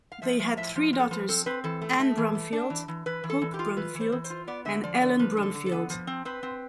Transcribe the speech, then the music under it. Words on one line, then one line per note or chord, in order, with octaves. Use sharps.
They had three daughters, Ann Bromfield, Hope Bromfield and Ellen Bromfield.
F5
F3 E5
F3 E5
A2 E5
F3
F3
A4
F3 B4
C4 A4
C4 B4
E3 A4
A3
A3
E3
A3
D4
E3
E3
E3 B4
E3
A4
E3
G4
F4
E3 B4
E3
C5
E3
C5
F4
B3 D5
D3 E5
F3 D5
D3 D5
F3 B4
D3
A4
D3
A4
B3
F3
C4
C4 B4
C4